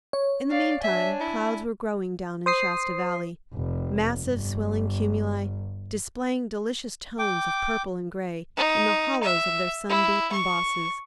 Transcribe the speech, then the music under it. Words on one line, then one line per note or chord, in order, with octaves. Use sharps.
In the mean time clouds were growing down in Shasta Valley--massive swelling cumuli, displaying delicious tones of purple and gray in the hollows of their sun-beaten bosses.
C#5
D5 F5
D4 E5 G#5
E4
C5 D#6 C7
F1
G1
G5 D6
D#4
E5
E4
C#6